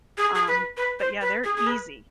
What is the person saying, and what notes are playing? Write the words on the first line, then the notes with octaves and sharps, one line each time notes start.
um, but yeah, they're easy,
G#4
G#4
B4
B4
C5
B4
G#4
G#4
B4